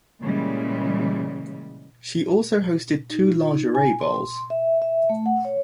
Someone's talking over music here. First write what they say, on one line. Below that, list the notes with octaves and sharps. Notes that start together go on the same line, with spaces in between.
She also hosted two Lingerie Bowls.
A#2 C#3 E3 G3 G#3
D#4
F4
D#4
G#5
C6
E5
E5
A3
F#5
C#5